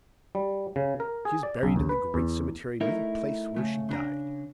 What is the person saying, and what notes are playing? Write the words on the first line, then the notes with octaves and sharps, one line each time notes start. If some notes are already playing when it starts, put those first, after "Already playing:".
She is buried in the great cemetery, near the place where she died.
G3
C#3
A#4
G#4
D5
B1
D#2
B4
E2
A3 D#4 E4 A#4
C#3 A3
C#3 D4 A#5